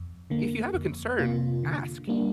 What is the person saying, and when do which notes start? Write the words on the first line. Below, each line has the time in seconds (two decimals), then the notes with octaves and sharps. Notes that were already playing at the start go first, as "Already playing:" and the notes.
"If you have a concern, ask.
Already playing: F2
0.30 D3 A#3
0.74 F2
1.19 C3 A#3 F4
1.63 D3
2.08 G3 A#3 D4